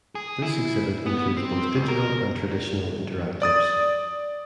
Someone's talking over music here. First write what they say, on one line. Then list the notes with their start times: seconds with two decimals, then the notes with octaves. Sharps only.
This exhibit includes both digital and traditional interactives.
0.15 G#4
0.42 E4
1.06 B3
1.37 C4
1.74 C#2
1.88 A#4
3.42 D5 D#6 A6